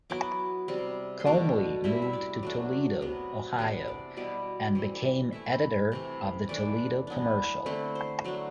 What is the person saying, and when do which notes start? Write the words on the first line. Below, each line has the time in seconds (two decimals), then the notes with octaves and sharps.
Comly moved to Toledo, Ohio, and became editor of the "Toledo Commercial".
0.10 F#3 B3 E4 D6
0.68 C3 G3 C4
1.20 C6
1.26 B2 A3 D4 D6
1.84 C3 G3 C4 E4 E5
2.02 E5
2.13 D5
2.43 F#3 A3 D4
3.01 C3 F#3 B3
3.59 C3 E3 B3 D4 C5
3.88 D5
4.17 B2 G3 B3 E4 D5
4.75 E3 G3 C4
5.33 E3 A3 E4 E5
5.92 C3 E3 A3
6.49 E3 A3 D4 D5
7.07 E3 B3 D4
7.66 D3 A3 C4 E4 C5
7.95 C5
8.24 F#3 A3 D4